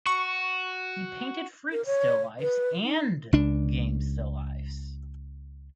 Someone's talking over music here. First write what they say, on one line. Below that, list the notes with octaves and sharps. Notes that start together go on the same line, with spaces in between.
He painted fruit still lifes and game still lifes.
F#4 C#6
A#4
C#5
B4
D#4
C#2 D4